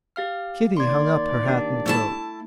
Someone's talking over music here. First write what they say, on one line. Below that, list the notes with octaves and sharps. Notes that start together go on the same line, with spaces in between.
Kitty hung up her hat and coat.
G4 F5 F6
D#3 A#3 D5 C6 G#6
D4 G4
A3 E4 A5